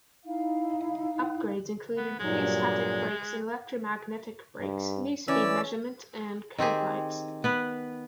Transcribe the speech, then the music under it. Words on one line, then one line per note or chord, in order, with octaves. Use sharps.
Upgrades included rheostatic brakes and electromagnetic brakes, new speed measurement and curve lights.
D#4 E4 F5
B3
G2 A#2 F#3 G#3
G2
E3 C#4 D5 E6
D#3 C4 G4 G#4
B3 B4